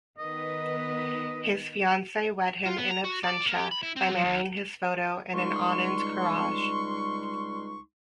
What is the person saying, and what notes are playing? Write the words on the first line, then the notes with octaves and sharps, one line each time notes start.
His fiance wed him in absentia by marrying his photo in an Anand Karaj.
D#3 B3 B4 D#5
F4
B3
A#5
F#4
D5
A#3
G4
B5
E4
C4
F#3
D#2
C#2 G3 G#3 D#4 C6 C#6